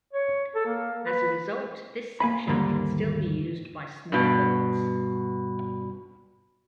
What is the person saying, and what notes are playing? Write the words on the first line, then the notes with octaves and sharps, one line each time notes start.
As a result, this section can still be used by small boats.
C#5
A4
A#3
B4
A#3 G#5 B5
D#2 G#2 D3 G3 A#3
G2 B2